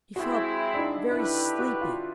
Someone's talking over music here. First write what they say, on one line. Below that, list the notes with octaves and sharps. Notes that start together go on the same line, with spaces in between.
He felt very sleepy.
G#3 C4 E4 F#4
D4
D#4
A3 D4 E4 G4 B4
F#4
F4